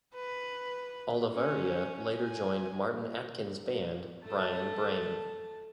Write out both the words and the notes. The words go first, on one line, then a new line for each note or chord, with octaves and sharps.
Olavarria later joined Martin Atkins' band Brian Brain.
B4
C#4
G#5
A3 A5